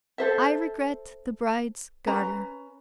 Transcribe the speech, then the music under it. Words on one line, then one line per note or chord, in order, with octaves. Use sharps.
I regret the bride's garter.
A4 C5 E5
C#4 B4 A#5